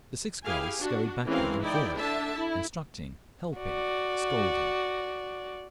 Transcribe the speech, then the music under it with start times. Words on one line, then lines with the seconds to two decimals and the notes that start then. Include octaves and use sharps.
The six girls scurried backward and forward, instructing, helping, scolding....
0.44 E4 G4 G#4 F5 G#5
0.80 D4 F#4
1.26 E3 G#3 C4 C#4 A#4 F5
1.60 D#4 E4 D5 G5
1.95 D3 D4 E5 A5
2.34 E4
3.58 F#4 D5